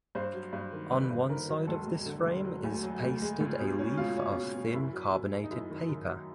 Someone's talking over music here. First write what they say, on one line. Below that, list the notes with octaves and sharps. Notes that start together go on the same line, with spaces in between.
On one side of this frame is pasted a leaf of thin carbonated paper.
G2 C5
F#3
G2
D#3
G1 B4
G2
D#3 A#4
F#3
E1 A4
E1
D3
E1
F#3
D2
F#3
D2
G#3
C#2
B2
C#4
B2 F4
C#4
B2
B2
F#2 E4
F#3
F#2
F#2
D#4
F#2 E4
D#3
F#2
F#3